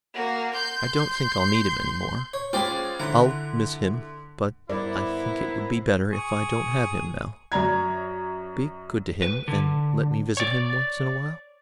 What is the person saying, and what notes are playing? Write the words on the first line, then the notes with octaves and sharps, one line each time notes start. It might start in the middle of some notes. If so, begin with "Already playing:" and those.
"I don't think I'll need him any more. I'll miss him, but I think it would be better if I don't have him now. Be good to him, and let me visit him once in a while."
A#3 F#4
C6 G6
C#5
G#3 C#4 F4 C5 D5 G5 B5 C6
D3 E4 F#5 A#5 C6
G2 B3 E4 A#4 C5 D5
G#4 C#6
F#2 D5 A#5 G#6
B4
D3
C#5 D5